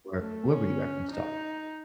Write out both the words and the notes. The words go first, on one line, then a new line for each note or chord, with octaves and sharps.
or whoever you referenced, sorry.
A3
C#4
D#4